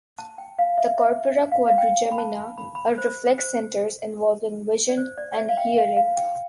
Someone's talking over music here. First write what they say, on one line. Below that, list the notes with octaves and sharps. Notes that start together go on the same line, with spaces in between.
The corpora quadrigemina are reflex centers involving vision and hearing.
A5
G5
F5
E5
E5
F5
F5
G5
B5
A5
B5
B5
C5
C5
D5
C5
D5
D5
E5
F5
G5
F5
F5
G5